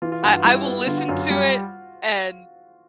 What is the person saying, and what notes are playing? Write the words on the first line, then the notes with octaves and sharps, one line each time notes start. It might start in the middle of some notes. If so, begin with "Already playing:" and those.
I I will listen to it and,
E3 F4
F4
G2 F#4
F4
G3 E4
B3
D3 F4
F#4
F#2 F4
F4
G3